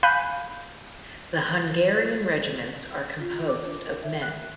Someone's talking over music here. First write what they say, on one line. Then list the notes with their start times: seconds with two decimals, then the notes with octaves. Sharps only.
The Hungarian regiments are composed of men.
0.03 F5 G#5 B5 F#6 G6
3.19 F4
3.48 D6
3.65 D4
3.87 A#4
4.04 E5
4.22 F#6